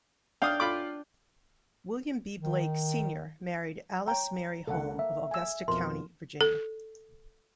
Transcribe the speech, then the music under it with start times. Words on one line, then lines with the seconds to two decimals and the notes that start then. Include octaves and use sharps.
William B. Blake, Senior married Alice Mary Home, of Augusta County, Virginia.
0.42 D4 F5 G5 D#6 F6
0.60 F4 B5 D6
2.40 D#3
4.08 C#5 G5 A#5
4.67 C#2 D3 A#3 A4 F#5
4.99 A#3 E5
5.31 G#5 E6
5.68 F2 B2 F3 A#4 C6
6.41 A4